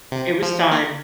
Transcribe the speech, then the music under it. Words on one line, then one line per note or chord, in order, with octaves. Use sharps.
it was time.
C3
F3
A#3